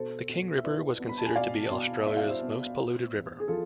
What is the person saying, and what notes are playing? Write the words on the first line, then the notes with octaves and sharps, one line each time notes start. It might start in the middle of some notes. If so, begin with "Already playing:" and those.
The King River was considered to be Australia's most polluted river.
Already playing: B2 A4 C5
B2
E5
E4 B4 D5
B3
B5
A5
G#5
B2 D5 F5
B2
E4 E5
F5
C5 E5
B3
B3
E2
G#4
F3 F4 A4